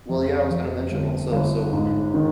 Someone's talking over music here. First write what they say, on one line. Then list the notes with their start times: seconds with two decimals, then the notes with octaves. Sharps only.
well, yeah, I was gonna mention also. So,
0.09 F2
0.50 F2
0.91 G1
1.32 G1
1.73 G#2
2.14 D#3